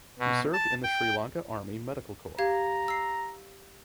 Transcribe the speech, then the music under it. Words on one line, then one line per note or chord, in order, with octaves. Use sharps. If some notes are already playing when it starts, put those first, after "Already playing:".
He served in the Sri Lanka Army Medical Corps.
B2
A5
G5
G4 F5 A#5 G#6
E6 C7